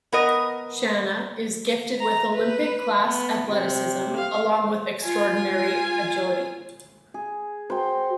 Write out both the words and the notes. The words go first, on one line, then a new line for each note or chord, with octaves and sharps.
Shanna is gifted with Olympic-class athleticism along with extraordinary agility.
B3 A#4 D#5
A#5
B4
B3
C3
F5
F4 G#5
G#4
F#4 C5 G5